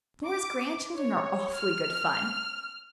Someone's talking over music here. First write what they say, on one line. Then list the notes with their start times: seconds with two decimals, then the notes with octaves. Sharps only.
Nora's grandchildren are awfully good fun.
0.27 D6
0.97 C#5
1.57 F6